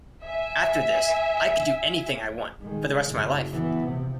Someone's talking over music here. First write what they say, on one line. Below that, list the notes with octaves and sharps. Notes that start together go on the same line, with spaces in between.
After this I could do anything I want, for the rest of my life.
E5 G#5
D#3 G#3
F#1
E3 B3
C3 F3